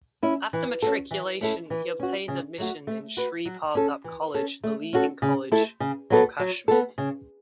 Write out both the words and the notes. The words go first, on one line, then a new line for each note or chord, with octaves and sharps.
After matriculation he obtained admission in Shri Partap College, the leading college of Kashmir.
C#4 E4
E3
C#4 F#4 A4
E3
A3 C#4 E4 A4
E3
C#4 F#4
C#3
F#3 A3 F#4
A3
F#4 B4
F#3
C#4 A4
E3
C#4 A4
A3
C#4 F#4 A4
C#3
A3 E4 A4
C#3
F#3 B3 A4
F#3
B3 A4
C#3